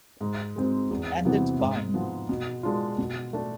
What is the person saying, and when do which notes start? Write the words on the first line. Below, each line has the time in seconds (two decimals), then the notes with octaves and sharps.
Andet Bind.
0.21 G#2
0.56 G#3 C4
0.91 E2
1.25 C3 E3 B3
1.60 G#2
1.94 F3 B3
2.29 B2
2.63 G#3 D4 F4
2.98 B2
3.33 A3 D4